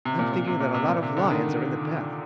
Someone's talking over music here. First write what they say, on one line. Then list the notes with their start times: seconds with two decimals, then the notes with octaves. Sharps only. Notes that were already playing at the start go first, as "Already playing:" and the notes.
"I'm thinking that a lot of lions are in the path."
0.05 C3
0.19 A#2
0.33 A#2
0.47 C3
0.60 A#2
0.74 C3
0.88 A#2
1.03 C3
1.17 D3
1.31 D#3